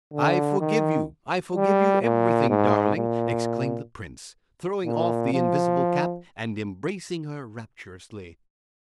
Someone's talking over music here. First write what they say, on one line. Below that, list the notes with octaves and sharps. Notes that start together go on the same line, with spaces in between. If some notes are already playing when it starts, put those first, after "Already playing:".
"I forgive you, I forgive you everything, darling!" exclaimed the prince throwing off the invisible cap, and embracing her rapturously.
D3
D#3
G3
A#2
G#2
A#2
A#2
F3